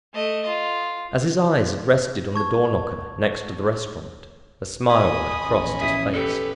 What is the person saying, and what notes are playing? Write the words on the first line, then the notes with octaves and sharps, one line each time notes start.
As his eyes had rested on the doorknocker next to the restaurant a smile had crossed his face.
A3 D#5
F4
A5 C#6 G#6
D#5 G#5 B5 D#6
A#1 E2 C#4
E5 D#6
G4 A4 B4